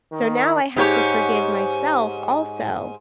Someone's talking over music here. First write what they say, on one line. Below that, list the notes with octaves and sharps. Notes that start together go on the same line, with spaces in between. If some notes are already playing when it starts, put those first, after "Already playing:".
So now I have to forgive myself also,
D#3
G#2 G4 C#5